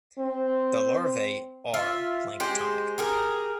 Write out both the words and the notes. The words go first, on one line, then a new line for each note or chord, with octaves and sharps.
The larvae are planktonic.
C4
F4 E5
G#3 G4 C5
G4 G#4 A#4